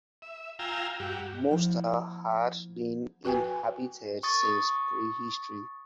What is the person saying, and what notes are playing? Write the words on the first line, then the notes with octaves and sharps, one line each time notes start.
Mosta has been inhabited since pre-history.
E5
F4 F5 G5 G#5 A#5 E6
G2 F#4 G4
F3 A#3 E4 F#5
F#4 B4 G5 G#5
C#6 D#6 A6